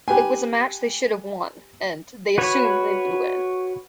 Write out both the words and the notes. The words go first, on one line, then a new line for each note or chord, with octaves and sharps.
It was a match they should have won, and they assumed they would win.
G4 B4 G5 G#5
F#4 B4 C#5